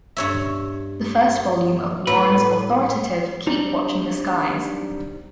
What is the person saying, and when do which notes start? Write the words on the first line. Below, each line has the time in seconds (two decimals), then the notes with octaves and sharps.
The first volume of Warren's authoritative Keep Watching the Skies!
0.17 G2 C#5 E5
2.07 A2 B4
3.47 F#3 G3 C4 D4 D#4